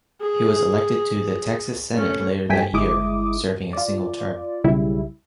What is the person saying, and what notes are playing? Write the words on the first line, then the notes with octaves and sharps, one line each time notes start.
He was elected to the Texas Senate later that year, serving a single term.
G#4
A3 C#4
G2 A3 G5 G#5 B6
G1 G#3 E4 D6 D#6
F4 D5
B1 C#3 G3 E4